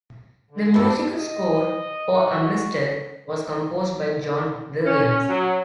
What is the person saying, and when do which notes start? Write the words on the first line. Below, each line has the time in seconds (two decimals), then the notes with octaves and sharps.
The musical score for "Amistad" was composed by John Williams.
0.51 D3
0.74 E2 G2 A#2 G3 A4
1.10 D#5
2.12 F#4
4.86 C#4
5.29 F#3